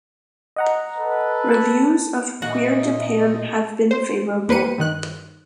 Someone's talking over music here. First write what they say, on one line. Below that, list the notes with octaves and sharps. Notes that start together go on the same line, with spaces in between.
Reviews of "Queer Japan" have been favorable.
D#5 F#5 A#5
A4 B4
A5
A#2 F#4 D#5 E5
C5
E2 A#3 B4 C5 C#7 D#7
G2 D#3 F#6